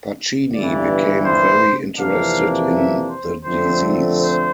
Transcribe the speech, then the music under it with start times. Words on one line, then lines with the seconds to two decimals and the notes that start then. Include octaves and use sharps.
Pacini became very interested in the disease.
0.52 G1 G2 E3 D5
1.25 C5
1.98 F2 C3 E3 A#3 D4 F5
2.72 E5
3.08 C5
3.44 F2 D3 F3 A3 C4 C5
4.16 C5